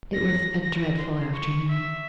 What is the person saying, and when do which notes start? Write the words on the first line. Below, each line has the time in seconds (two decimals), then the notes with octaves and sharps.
It was a dreadful afternoon.
0.14 A#6
0.64 A#6
0.98 C6
1.33 C#6
1.68 E5